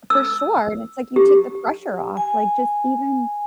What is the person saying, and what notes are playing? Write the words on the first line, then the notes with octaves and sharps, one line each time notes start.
For sure, and it's like, you take the pressure off, like, just even
E6
G4
G#5